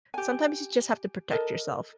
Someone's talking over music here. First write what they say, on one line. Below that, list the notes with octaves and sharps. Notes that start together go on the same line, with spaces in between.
"Sometimes you just have to protect yourself."
G4 G#5
A4 A#4 D#5